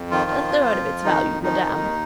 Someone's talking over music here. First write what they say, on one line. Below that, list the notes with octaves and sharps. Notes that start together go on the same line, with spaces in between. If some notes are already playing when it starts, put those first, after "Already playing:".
"A third of its value, madame."
Already playing: F2
D#3 F3 F4
F2
F2
F2
F2
F2 D#3 D#4
F2
D#3 F3 D#4
F2
D#2